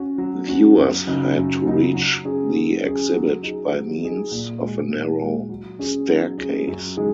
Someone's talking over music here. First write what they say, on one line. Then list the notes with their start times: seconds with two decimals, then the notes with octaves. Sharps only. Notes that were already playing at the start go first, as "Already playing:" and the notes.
Viewers had to reach the exhibit by means of a narrow staircase.
Already playing: C#4 F#4
0.18 F#3
0.48 C#4 F#4
0.77 F#2
1.07 C#3 F#3 D#4
1.36 F#2
1.65 C#3 F#3 D#4
1.95 F#3
2.25 C#4 G#4
2.54 F#3
2.84 C#4 G#4
3.13 F#3
3.43 D#4 G#4
3.72 F#3
4.02 D#4 G#4
4.31 A#2
4.61 G#3 F#4
4.90 A#2
5.20 G#3 F#4
5.49 F#3
5.79 C#4 G#4
6.08 F#3
6.38 C#4 G#4
6.68 F#2
6.97 D#3 G#3 D#4 G#4